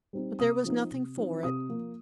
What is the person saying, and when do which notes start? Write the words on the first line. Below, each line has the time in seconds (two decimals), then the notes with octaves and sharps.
But there was nothing for it.
0.13 G3 C4 D#4
0.39 C3 D#6
0.65 F3 C4 D#4
0.91 C3
1.17 F3 C4 D#4
1.43 C3 D#6
1.69 F3 A#3